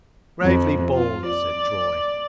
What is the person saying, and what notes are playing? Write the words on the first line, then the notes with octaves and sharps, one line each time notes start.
"Bravely borne!" said Troy.
F2
F4
D5